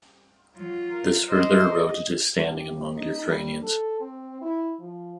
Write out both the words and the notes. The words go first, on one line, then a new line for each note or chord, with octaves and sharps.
This further eroded his standing among Ukrainians.
F#3 F4
A#4
C5 D#5
G4
D#4
G3
A4
C4
E4
F3